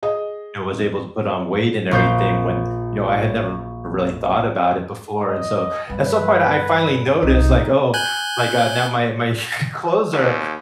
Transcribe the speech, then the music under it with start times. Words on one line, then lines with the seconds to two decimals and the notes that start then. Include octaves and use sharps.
know, was able to put on weight and everything, when, you know, I had never really thought about it before, and so at some point I I finally noticed, like, "Oh, like, uh, now my my clothes are
0.03 G#4 D#5 D#6
1.91 A#1 A#4 C5 G6
5.28 D#5
5.90 G2 B4
7.23 C2 D#4
7.94 G#5 F#6 G6
10.13 D#2